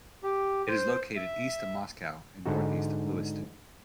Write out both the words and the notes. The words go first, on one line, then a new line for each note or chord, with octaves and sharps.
It is located east of Moscow and northeast of Lewiston.
G4
C5
E5
G#2 D3 D#4 F#4